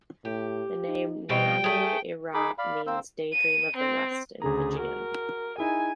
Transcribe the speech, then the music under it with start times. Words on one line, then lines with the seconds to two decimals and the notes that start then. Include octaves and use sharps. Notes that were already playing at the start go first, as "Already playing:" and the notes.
The name "Nananu-I-Ra" means "Daydream of the West" in Fijian.
0.25 A2 G4
0.88 D#4
1.29 B2 G3 C4 G5
1.64 A3 G#4
2.34 D#4 G#4 B5 D6
2.58 D5 F5 B5
2.87 A#3 C4 C5 E6
3.33 D#7
3.76 C4
4.42 D2 C#3 G#4 A#5
4.79 F#4 A#4
5.58 D#4 E4 G#4 G#5